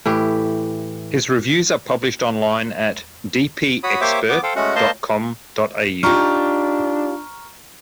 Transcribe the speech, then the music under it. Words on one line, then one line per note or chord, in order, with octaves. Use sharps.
His reviews are published online at dpexpert dot com.au.
A2 E3 G4
F#4 C#5 B5 D#6
A#3 G4 C5 C#5 E5 D6
B3 D6
A4 C5 F5 G5
G#3 A3 C#4 F#4 F#5
A#3 C5 D#5 F5 A5 C6
D4 D#4 F4 G4 A#5 C#6 F6